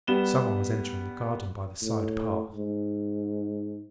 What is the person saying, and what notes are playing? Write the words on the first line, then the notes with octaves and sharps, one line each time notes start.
Someone was entering the garden by the side path.
G3 B3 E7 G7
A2
G#2